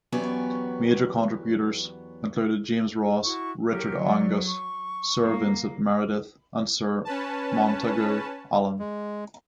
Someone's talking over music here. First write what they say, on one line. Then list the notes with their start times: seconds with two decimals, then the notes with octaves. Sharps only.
Major contributors included James Ross, Richard Angus, Sir Vincent Meredith and Sir Montagu Allan.
0.12 E2 F#3 B3 C#4 G4 D5
3.24 E4 F#4 C#6
3.68 F#3 G4 A#4
4.05 D5
4.47 C#6
5.21 F#3 A#3
7.05 C#4 B4 A5
8.79 G#3